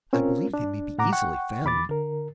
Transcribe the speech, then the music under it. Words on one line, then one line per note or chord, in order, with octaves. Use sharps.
I believe they may be easily found.'
C4 C#4 F4 A#4
D4
A2 F#5 A#5 D6
F#5 G5 C#6
E2 B5 D6 A6
D3 A#4